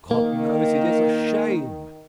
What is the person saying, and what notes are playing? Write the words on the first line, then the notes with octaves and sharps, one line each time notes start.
"God knows it is a shame!"
D#3 A#3